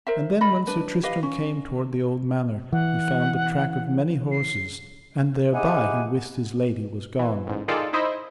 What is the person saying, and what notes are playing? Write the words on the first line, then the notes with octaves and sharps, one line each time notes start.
And then when Sir Tristram came toward the old manor he found the track of many horses, and thereby he wist his lady was gone.
A#4 C5 E5
D#5 B5
D4 B4
G4 B4 D#5 F5
C#4
E3 F#5
C7
D#4 E4 G4 G#4 F#5 G#5
E3
A1 G#2
D#3 D#4 F4 G#4 A4 D5
D#4 E4 C5 D#5 E5 B5